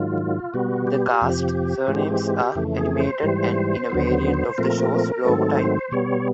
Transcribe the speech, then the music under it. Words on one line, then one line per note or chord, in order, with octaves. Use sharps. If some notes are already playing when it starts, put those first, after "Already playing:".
The cast's surnames are animated and in a variant of the show's logotype.
Already playing: G#2 D#3 F#3 F4
B2 G3 B3 F#4
G4
F2 C3 F3
G#2 E3 G#3 C4
F2 C#3 E3 A3
G#4
C5
G#2 E3 G3
D#2 D3 F#3 B3
A#2 F3 A3 C4 A#4
G#2 D#3 F#3 A3 C4 A4
C5
B2 G3 B3 C#5